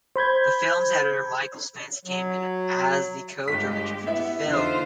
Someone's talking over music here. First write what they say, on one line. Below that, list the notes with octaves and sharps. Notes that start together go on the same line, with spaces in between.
The films editor Micheal Spence came in as the co-director for the film.
C5 B5 G6 G#6
F#3
G1 G#3 G4 B6
B3 E4 E5
E2 D3 D#4 F4 C5